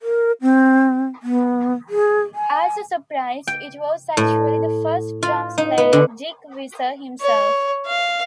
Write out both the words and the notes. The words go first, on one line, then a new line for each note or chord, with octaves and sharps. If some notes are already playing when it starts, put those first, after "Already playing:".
As a surprise it was actually the first drumsplayer Dick Visser himself!
A#4
C4
B3
G#4
G#5
G5
A2
F4
D#4
B3
D3
C#5
F5